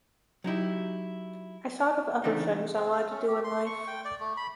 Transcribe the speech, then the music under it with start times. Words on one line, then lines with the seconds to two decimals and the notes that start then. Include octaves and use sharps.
I thought of other things I wanted to do in life.
0.44 F#3 D#4 E4 G4
2.24 C#3 E3 A3 C4 D4 D#4
2.75 C4
2.92 F5
3.10 C#4
3.27 G4
3.44 C6
3.66 C#6
3.87 G5
4.05 D5
4.20 A3
4.37 B5